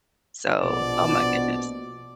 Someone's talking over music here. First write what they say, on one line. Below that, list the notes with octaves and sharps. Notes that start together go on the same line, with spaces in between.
So Oh my goodness.
A#1 B2 D5